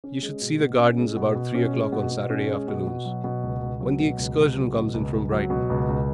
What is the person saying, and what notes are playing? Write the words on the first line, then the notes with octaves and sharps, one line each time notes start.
"You should see the gardens about three o'clock on Saturday afternoons, when the excursion comes in from Brighton."
C#4
G#3
B2
B2
C#4
G#3
B2
B2
C#4
G#3
B2
B2
C#4
G#3
B2
B2
F#3
B2
C#2
C#2
F#3
B2
C#2
C#2
F#3
B2
C#2
C#2
F#3
B2
C#2
C#2